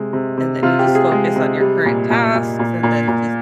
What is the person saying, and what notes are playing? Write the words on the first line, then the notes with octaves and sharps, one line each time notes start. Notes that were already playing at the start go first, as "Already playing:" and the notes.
and then you just focus on your current tasks, and then just
Already playing: C3 G#3
C3
C3
C3 F4
G4
C3
G#4
G#3
C3
G3
A#2
A#2
A#2
A#2
A#2
A#2